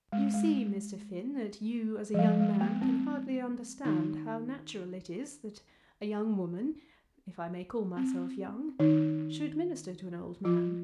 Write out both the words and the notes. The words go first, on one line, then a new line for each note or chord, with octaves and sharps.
"You see, Mr. Finn, that you as a young man can hardly understand how natural it is that a young woman,--if I may call myself young,--should minister to an old man."
G#3
G#3
F3
G#3
G#3
A#3
C4
D#3 D#4
C4
D#3 D#4
F3 F4